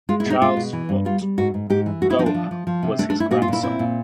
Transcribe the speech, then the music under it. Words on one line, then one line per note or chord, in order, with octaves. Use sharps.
Charles Foote Gower was his grandson.
G#3 F4
E4
B2 D#4
G#3 F4
B2
E3
G2
G3 F4
G3
G#2 F#4
G#2
G#2 G4
E3
A3 F#4
E4
F3 D#4
D4
F3
F3
F3
C3
A3 D4
D4
A3 E4
A#2 F#4
F4
A#2 E4
C4 E4
A#2